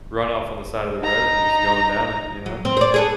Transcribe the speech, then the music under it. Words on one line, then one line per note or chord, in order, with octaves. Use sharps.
runoff on the side of the road and just going down it, you know?
D#4 A#5
F#3
C4
C5 D5
G#4 A4 B4